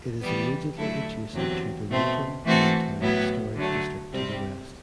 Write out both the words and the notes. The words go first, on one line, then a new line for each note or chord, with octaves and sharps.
It is immediately adjacent to the Newton Downtown Historic District to the west.
E3 G3 B3
D3 F#3 A3 E4 A4
E2 D3 F#3 C4 G4
B2 A3 C4
E3 A3 C4 F#4 A4
A2 F#3 B3 E4
D3 F#3 A3
C3 G3 C4 G4